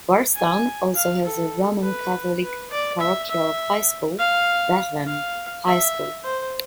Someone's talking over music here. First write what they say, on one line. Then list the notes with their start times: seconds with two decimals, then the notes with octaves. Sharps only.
Bardstown also has a Roman Catholic parochial high school, Bethlehem High School.
0.36 G#5
0.95 F5
1.25 A4
1.83 B4
2.42 B4
2.71 D5
3.00 E5
3.31 E5
4.19 F5
5.07 F5
5.65 E5
6.24 C5